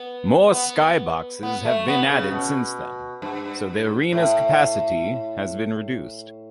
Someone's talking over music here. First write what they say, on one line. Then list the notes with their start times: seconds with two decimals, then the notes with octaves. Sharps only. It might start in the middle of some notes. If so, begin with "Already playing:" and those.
More skyboxes have been added since then, so the arena's capacity has been reduced.
Already playing: B3
0.52 B3
1.43 B3
1.65 A3
1.88 B3
2.10 C#3
2.32 B2
3.22 G2
4.12 A2